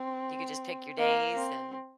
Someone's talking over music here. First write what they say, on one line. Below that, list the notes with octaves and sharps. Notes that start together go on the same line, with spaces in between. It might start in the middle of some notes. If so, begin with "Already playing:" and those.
you could just pick your days and
Already playing: C4
A#3
C4